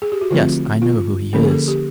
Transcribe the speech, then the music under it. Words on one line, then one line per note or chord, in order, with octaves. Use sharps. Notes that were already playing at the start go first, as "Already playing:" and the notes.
"Yes; I know who he is."
G#4
G4
F#4
D3 F3 A3 C4 F4
F4
D3 F3 A#3 C#4 G4
G#4
A4
G4